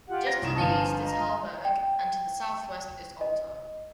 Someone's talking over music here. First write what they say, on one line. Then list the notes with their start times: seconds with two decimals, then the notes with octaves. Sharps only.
Just to the east is Helberg, and to the southwest is Alter.
0.08 F4 G4 F#5
0.27 A#6
0.42 C2 D#4 C#6 E7
0.56 G1 F3 F5 G#5 A5
1.01 D#5 F5 A#5
1.65 G5
3.21 D#5